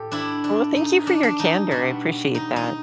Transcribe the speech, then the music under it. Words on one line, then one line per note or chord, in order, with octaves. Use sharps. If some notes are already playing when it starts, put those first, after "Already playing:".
Well, thank you for your candor, appreciate that.
Already playing: A2 G4 A4
D4 E4
D4
D#4
D4
D4
D#4
B2 G3 B3 D4
D#4
D#4